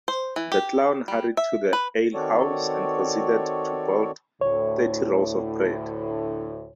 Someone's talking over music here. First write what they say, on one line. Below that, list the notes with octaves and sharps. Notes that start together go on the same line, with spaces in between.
The clown hurried to the alehouse and proceeded to bolt thirty rolls of bread.
C5
E3
G4
G3
E5
B4
D#3 C4 F#4 A4 C#5 D5
D2 A2 C#5